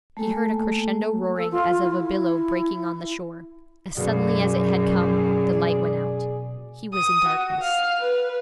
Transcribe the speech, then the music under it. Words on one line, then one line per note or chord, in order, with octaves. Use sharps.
He heard a crescendo roaring as of a billow breaking on the shore; as suddenly as it had come, the light went out. He was in darkness.
A3 A#3 A4 G#5
A4
F4
E4
F#2 B2 A#3 G#4 D5
D#6
F#4
F5
B4